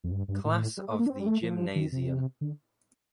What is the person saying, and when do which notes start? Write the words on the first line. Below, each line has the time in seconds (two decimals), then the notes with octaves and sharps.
Class of the gymnasium.
0.04 F2
0.12 G2
0.28 G2
0.45 A2
0.77 G3
0.88 A3
0.99 A#3
1.06 D4
1.10 C4
1.20 G3
1.26 A3
1.43 F3
1.75 D#3
1.92 C3
2.41 D3